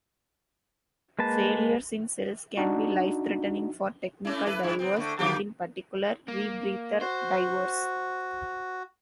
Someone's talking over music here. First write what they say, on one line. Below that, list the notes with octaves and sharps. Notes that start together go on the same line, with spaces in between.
Failures in cells can be life-threatening for technical divers and in particular, rebreather divers.
G#3 A#3 B4 A5
D4 D#4 F#4
A3 C#4 E4
E4 A4 B4
G2 G#3 E4
B3 C4
D3 A3
D3 A#3 G4
A#3
F#4 C5